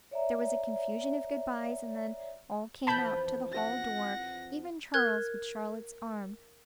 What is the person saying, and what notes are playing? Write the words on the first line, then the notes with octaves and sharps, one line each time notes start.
There was a confusion of good-byes, and then all came out to the hall door; even Charles, with Charlotte's arm.
C#5 D5 E5 G5 A#5
F2 E3 F3 A5 B5 G6
F#5 A#6
A#4 F#6 G#6